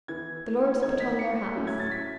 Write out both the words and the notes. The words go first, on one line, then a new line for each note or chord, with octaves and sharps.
The lords put on their hats.
E3 B3 E4 G#6
E3 A3 D#4 G#6
B6
C#7
A2 F#3 A3 C#4 E4
G#6
A6
B6